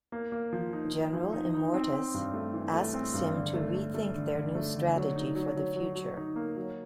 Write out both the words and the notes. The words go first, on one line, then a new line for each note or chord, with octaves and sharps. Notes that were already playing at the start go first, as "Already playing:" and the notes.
General Immortus asks him to rethink their new strategy for the future.
A#3
A#3
F3
D#4
D#4
F3
D#4
D#4
C4
C4
G2
A3
E3
A3
C4
G2
D3
A3
A3
A3
D3
D3
A3
D3
F#3
D#4
F#3
F#3
F#3
F#3
D#4
A#3
F#3